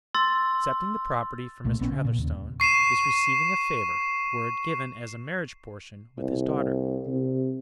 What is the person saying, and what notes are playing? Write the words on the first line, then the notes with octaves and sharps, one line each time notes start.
Accepting the property from Mr. Heatherstone is receiving a favor were it given as a marriage portion with his daughter.
C6 E6 A6
C2 A#2 A3
A#1 B3 C#4
C#3
A#2
D#2
C#6 C7 D#7 E7
C2
C3